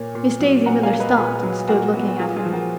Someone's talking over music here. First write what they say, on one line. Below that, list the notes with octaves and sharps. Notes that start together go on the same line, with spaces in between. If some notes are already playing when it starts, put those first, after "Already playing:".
Miss Daisy Miller stopped and stood looking at him.
Already playing: A#2 A#3 C#5
A#2
F#3
A#2 F#5 A#5
F5 G#5
A#3
B4 D#5
A#2 G#4 B4
F#3
A#2 F#4 A#4
B3 F#4
F#4
F4 G#4
F4 G#4
F3
F#4 A#4